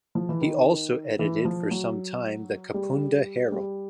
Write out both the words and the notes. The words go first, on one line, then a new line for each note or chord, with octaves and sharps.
He also edited for some time the "Kapunda Herald".
F3
E3
D#3
E3
F3
F#3
G3
G3